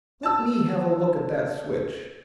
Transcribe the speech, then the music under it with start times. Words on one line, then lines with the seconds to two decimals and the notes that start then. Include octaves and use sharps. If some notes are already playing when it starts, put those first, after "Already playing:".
"Let me have a look at that switch."
0.23 A5 E6